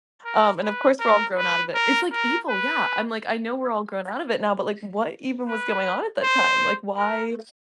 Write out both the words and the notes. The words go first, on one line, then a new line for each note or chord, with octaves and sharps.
Um, and of course we're all grown out of it. It's like evil, yeah, I'm like, "I know we're all grown out of it now, but like, what even was going on at that time?" Like, why
A#4
B4
A#4
B4
A#4
A#4
B4
B4
C5
A#4